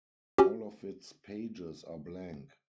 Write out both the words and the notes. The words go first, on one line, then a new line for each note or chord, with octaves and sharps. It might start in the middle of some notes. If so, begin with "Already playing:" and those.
All of its pages are blank.
C#4 F#4 G4